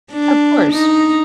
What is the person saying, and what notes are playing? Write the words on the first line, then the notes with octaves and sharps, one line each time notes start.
Of course.
D4
D#4